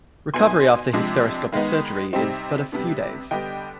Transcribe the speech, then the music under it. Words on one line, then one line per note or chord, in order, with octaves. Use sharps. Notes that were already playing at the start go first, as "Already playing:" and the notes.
Recovery after hysteroscopic surgery is but a few days.
B2 B3 D#4 G#5 C6
C3 F3 G#3 D4
D#3 G#3 B3 D#4
C3 G3 C4 D#4
C3 G3 B3 D4
D3 G3 B3 D4 D#5 G5